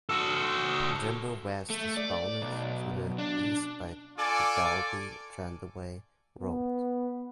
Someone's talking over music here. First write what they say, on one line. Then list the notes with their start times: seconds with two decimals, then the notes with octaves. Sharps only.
Jimbour West is bounded to the east by the Dalby Jandowae Road.
0.09 F#4 A4
1.70 A3
1.97 D5
2.42 B1
3.18 D4
4.18 F4 A4 D5 G#5 D6
6.41 B3